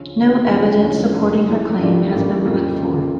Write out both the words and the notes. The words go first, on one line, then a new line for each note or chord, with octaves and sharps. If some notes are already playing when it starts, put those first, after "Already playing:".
No evidence supporting her claim has been put forth.
Already playing: D2 C#3 F3 C#4
D2 C#3 F3 C#4
F1 E2 D3 F3 C#4
F1 E2 D3 F3 C#4
F1 E2 E3
F1 E2 E3
A1 A2 G3 A#3 D4
A1 A2 G3 A#3 D4
F2 C#3 F3 A#3
F2 C#3 F3 A#3